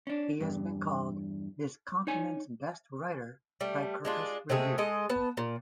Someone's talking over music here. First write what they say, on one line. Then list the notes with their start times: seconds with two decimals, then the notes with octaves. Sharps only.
He has been called "this continent's best writer" by Kirkus Review.
0.07 C#4 D4
0.40 E2 G2
2.07 D#4 C#5 G#5
3.61 G3 A3
4.05 G#3 D4 F4
4.50 C3 G#3 A3 G#4
4.78 G#3 A4 D#5
5.09 B3 A5
5.37 A#2